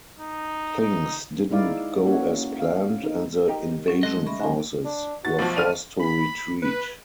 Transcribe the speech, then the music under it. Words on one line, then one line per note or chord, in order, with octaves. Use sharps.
Things didn't go as planned and the invasion forces were forced to retreat.
D#4
D#4
G#3 D#4 E4 D5 F5
A#3 C#4 F#4 C#5
F5
D#4
D#4 G4 A#4
F#3 C#4 A4
G#3 A3 D#5 C6 F#6
E5 B5 C#6
G#2 D3 F3 C#4 G#5
D4
F#4 A6
B1 F3
D3 F6 D#7 F7
B5
B4